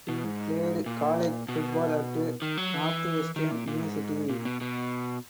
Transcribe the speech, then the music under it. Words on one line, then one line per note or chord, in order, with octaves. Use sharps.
He played college football at Northwestern University.
B2
G#2
A#2
B2
D#3
F#3
E3
D#3
A#2
A#2
G#2
A#2
B2
B2